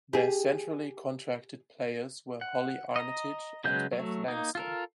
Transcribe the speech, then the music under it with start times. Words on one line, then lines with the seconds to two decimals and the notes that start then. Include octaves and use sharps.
Their centrally contracted players were Hollie Armitage and Beth Langston.
0.13 G4 G#4
2.41 F#5
2.96 D#5 A#5
3.64 C#3 F#3 G#3 B4 G6
3.93 F#3 A3
4.28 A#3 D#4
4.55 F4 A4 A#4